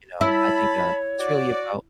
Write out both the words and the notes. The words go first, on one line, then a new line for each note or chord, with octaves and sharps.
uh, you know, I think, uh, it's really about,
E4 C#5 A5 B5
F#4 D5